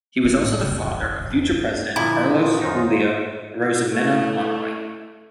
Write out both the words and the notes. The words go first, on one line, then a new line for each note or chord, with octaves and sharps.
He was also the father of future president Carlos Julio Arosemena Monroy.
A3
A2
C#3
F#2
E3
D#2
D1
E2
G2
A#2 D3 F3 E4
C5
B3 F4 F#4
F#2 D#3 D#4 F4 C5 C#5
A3 E4